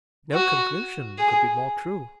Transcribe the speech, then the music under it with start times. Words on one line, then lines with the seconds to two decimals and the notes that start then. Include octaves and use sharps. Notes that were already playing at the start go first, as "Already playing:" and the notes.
No conclusion could be more true.'
0.33 F#4
1.18 G#4